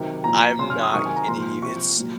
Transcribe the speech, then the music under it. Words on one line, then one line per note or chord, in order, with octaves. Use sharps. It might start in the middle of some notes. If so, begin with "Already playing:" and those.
I'm not kidding you, it's
Already playing: C3 D#3 F#3
A#2 F3 A#5
C#3 F#3 C6
F6
D#6
C3 D#3 F#3 C#6
G#5
A#5
A#2 F3 C6
C3 F3 C#6
A#2 F#3